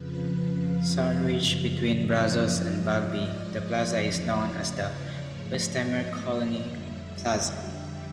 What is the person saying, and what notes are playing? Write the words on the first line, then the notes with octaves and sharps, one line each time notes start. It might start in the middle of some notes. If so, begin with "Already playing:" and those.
Sandwiched between Brazos and Bagby, the plaza is known as the Westheimer Colony Plaza.
Already playing: F2 C#3 F3 B4
F5
F#2 C#3 F3
D#5
G#2 F3 G#3 D#5
D5
D#5
C#5
E2 C#3 F3 D5
C#5
G#2 F3 A3
D#5
F2 D3 G3 E5
G5